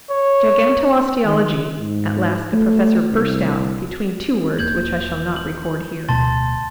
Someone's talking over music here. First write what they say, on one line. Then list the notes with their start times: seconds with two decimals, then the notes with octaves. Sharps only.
"Gigantosteologie," at last the Professor burst out, between two words which I shall not record here.
0.10 C#5
1.25 D#3
1.79 G#2
2.53 A3
3.12 C2
4.59 E1 A#3 G6 G#6 F#7
5.36 F#7
6.08 D1 B2 A3 A5 C6 A6